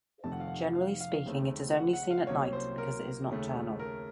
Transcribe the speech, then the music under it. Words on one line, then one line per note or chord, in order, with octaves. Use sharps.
Generally speaking it is only seen at night, because it is nocturnal.
F1 F2 C3 D#3 A3 A5
F#5
F5
F#5
F5
F5
D#2 C#3 A3 C4
F#5
F#5
F5
C2 C3 F#3 A#3 C#4 C#5
C5
A#4
D#2 C#3 A3
A#4